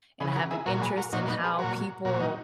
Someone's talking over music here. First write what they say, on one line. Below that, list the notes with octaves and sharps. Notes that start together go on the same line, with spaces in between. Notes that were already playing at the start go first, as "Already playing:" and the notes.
and I have an interest in how people
C#3 E3 G#4 B4
F#4 A#4
E4 G#4
A#2 F#3 F#4 A#4
G#4 B4
F#4 A#4
A#2 F#3 D#4 F#4
B3 D#4
G#4 B4
A#2 F#3 F#4 A#4
A#2 F#3 F#4 A#4
D#4 F#4